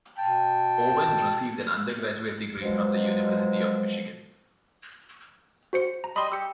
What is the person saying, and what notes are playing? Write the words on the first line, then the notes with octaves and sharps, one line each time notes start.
Owen received an undergraduate degree from the University of Michigan.
B2 G5 A5
B2 F3 F#3 G#3
F#4 C5 C#7
A#5
G3 D#5 B5 C6
G4 E6 C#7